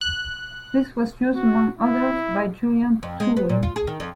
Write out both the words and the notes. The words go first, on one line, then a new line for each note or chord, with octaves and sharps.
This was used among others by Julian Tuwim.
F#6
F#4
E4
F2
G#3
B3
A#2
F4
G#4
D#3
F2